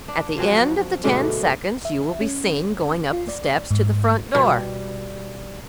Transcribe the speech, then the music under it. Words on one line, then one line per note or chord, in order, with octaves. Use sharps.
At the end of the ten seconds you will be seen going up the steps to the front door.
D4
F3 F#3 C4 F#4
G#2 B2 D3 A3
E5
C#4
F4
D5
G#2
B2 G3